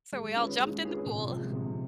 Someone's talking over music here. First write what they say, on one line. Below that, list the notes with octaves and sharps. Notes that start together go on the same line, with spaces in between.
So, we all jumped in the pool.
G#3
C#4 F4 G#4 B4
G#3
C#4 F4 G#4 B4
C3
F3 G#3
C3